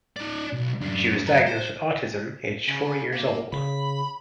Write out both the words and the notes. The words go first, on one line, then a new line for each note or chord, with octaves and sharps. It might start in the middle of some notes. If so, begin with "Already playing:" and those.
She was diagnosed with autism aged four years old.
D#4 D5
B1
F#2 D4
F#2 A#5
C5
C#3
A#3
C#3 B5